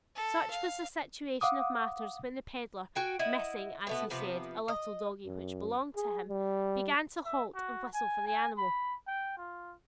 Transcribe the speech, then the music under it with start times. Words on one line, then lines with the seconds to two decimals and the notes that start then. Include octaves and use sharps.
Such was the situation of matters when the pedlar, missing, as he said, a little doggie which belonged to him, began to halt and whistle for the animal.
0.16 A4
0.51 F5
1.41 F5 F#5 D6 D#6
2.95 F#4 G5 G#5
3.19 E4 D#5 F#5
3.87 B2 A3 B3
4.10 C3 F3 B3 B4
4.68 D#5
5.25 F#2
5.96 G#4
6.29 G3
7.25 E5
7.55 F#4
7.94 G#5
8.27 G#5
8.58 B5
9.07 G5
9.37 F4